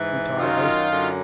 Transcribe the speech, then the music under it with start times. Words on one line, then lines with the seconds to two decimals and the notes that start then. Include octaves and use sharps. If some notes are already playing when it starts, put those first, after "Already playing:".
Futile oath!
Already playing: G#2 E3
0.38 F#2 D#3 F#3 D#4 F4
0.89 F#2 D3 F#3